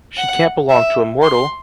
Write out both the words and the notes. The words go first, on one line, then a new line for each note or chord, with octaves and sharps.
She can’t belong to a mortal!
F#5
E5
C6